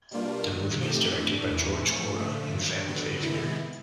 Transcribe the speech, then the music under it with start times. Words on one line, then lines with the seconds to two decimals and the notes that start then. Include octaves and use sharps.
The movie is directed by George Kora and Sam Xavier.
0.11 B2 G3 A#3 D4 F4
0.46 G2 D#3 F#3
0.80 F3 A3 C4 D#4 G4
1.16 A2 E3 A3 D4
1.50 E2 C3 E3
1.84 F3 A3 C#4
2.18 D3 F3 A3
2.53 G2 D#3 F#3
2.87 F#2 D3 F#3 B3
3.22 C3 D#3 G#3 B3 E4